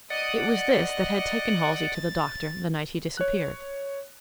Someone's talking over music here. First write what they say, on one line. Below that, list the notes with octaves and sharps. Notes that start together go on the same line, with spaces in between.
It was this that had taken Halsey to the doctor the night he disappeared.
D5 D#5 F#5 D#6
D#5
A6
C#5 F#6